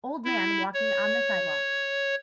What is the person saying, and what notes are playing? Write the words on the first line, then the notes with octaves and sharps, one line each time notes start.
Old man walking on the sidewalk.
E4
C#5